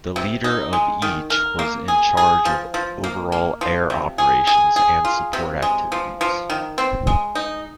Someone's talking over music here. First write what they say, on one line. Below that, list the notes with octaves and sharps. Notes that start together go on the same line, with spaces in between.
The leader of each was in charge of overall air operations and Support activities.
C3
D#4
G#3
D#3
A#4
A#3
G#4
G#4
F3
F3
A#3
A#3
F3
C3
G#4
G#4
G#4
F4
C3
G#3
F3
F3
D#3
C4
G#3
D#4